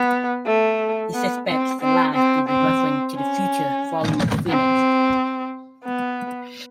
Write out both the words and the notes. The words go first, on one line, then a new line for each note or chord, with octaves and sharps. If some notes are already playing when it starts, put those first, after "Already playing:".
He suspects the last is a reference to the "Future" volume of "Phoenix".
Already playing: B3
A3
B3
C4
C4
C4
C4
C#4
C4
B3